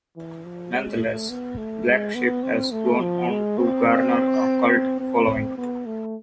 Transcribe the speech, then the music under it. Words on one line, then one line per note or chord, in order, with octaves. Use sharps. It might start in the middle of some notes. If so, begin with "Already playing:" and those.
Nonetheless, "Black Sheep" has gone on to garner a cult following.
E3
F3
G#3
A3
B3
A3
G#3
B3
C4
A3
F3
G#3
C4
C4
B3
A3